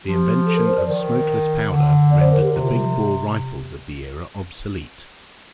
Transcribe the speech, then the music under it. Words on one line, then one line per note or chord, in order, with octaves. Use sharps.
The invention of smokeless powder rendered the big bore rifles of the era obsolete.
F3 G4
A4
A#4
C5
D5
D#3
D3
D5
C5
A#4
G4
C3 G4
F4
G3
F3